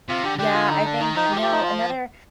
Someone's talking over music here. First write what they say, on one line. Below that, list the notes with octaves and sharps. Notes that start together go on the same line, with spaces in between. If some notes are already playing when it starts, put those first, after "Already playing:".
Yeah, I think no, another
C3 F4
D3 G4
D3 G4
F4
D#4
D4
D#3 D#4
F3 D#4
D#3
G4
F3
G4
D#4
F4